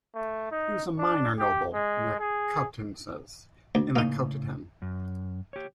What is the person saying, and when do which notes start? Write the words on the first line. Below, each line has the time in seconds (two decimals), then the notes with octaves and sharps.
He was a minor noble near Coutances in the Cotentin.
0.14 A3
0.51 D#4
0.98 D4
1.38 G4
1.73 G#3
2.20 G#4
3.75 D2
3.96 A2 C#3 A#3 D#4
4.82 F#2
5.53 G4 C#5